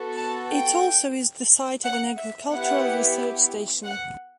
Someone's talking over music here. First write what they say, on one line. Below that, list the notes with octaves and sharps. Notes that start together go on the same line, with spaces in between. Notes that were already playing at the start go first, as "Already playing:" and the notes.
It also is the site of an agricultural research station.
Already playing: B3 F#4 A4
A5
G5
F#5
E5
B3 E4 G4 F#5
F#5